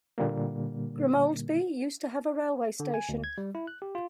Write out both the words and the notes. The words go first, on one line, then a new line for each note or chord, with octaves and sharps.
Grimoldby used to have a railway station.
A#2 D3 G3 A#3
D3
G#5
D2
G#6
G3
E4
F#6
G4
F4